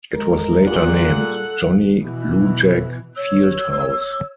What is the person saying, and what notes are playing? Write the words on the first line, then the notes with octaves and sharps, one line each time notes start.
It was later named Johnny Lujack Field House.
G#3 A#4
A#2 G3 F4 G#4 F#5 F#6
A4
B2 E3
C#5 E6